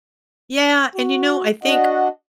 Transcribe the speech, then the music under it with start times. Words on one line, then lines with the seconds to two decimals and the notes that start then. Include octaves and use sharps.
Yeah, and, you know, I think,
0.96 F#4
1.64 D4 F#4 D#5 F#5